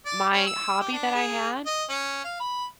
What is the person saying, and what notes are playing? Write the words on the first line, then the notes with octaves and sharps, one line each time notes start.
my hobby that I had,
D5
C#4
E6
G4
D4
G#4
D#5
C#4
F5
B5